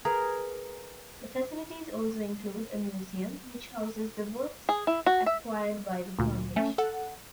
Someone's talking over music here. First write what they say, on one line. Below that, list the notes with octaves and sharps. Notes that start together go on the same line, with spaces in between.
The facilities also include a museum, which houses the works acquired by the Foundation.
G#4 A#4 B4
G#4
E4
F#4
E5
D2 A#2
A3 C#4
A4 F#5